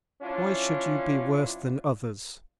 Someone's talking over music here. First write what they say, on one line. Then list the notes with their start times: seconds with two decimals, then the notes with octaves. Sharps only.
"Why should you be worse than others?"
0.22 F3 C#4 D4 E4 F4